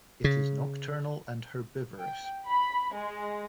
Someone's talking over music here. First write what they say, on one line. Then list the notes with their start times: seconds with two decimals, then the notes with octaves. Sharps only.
It is nocturnal and herbivorous.
0.24 C#3
1.99 G5
2.47 B5
2.94 G#3